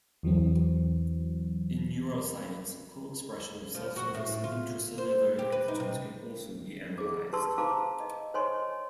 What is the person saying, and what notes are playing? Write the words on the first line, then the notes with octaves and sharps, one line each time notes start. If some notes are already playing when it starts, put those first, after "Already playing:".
In neuroscience, co-expression of cell surface and intracellular antigens can also be analyzed.
E2 E3 F#3 C4
F3
F#4
A2
F4
C5
G4
B4
D#4
C3
G#4 D6
G4 B4 A5 C6 C#6 E6
C5 F5 A5 A#5 D6
D#5
C5 C#5 D#5 G#5 C6 C#6